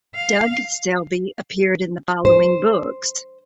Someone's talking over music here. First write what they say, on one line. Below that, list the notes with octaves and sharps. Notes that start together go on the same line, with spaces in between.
Doug Selby appeared in the following books.
F5
C5